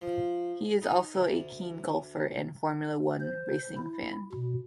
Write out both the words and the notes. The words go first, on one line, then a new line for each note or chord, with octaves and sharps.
He is also a keen golfer and Formula One racing fan.
F3
D#4
D2
C5
E4
B2